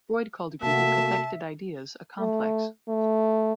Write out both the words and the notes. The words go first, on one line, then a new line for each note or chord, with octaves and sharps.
Freud called a group of cathected ideas a complex.
C3 A3 A#3 F#4 E5 A5
A3
A3